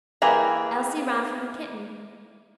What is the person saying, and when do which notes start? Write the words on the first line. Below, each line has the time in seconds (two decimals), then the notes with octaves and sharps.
Elsie ran for her kitten.
0.22 E3 A#3 G4 G#4 A#5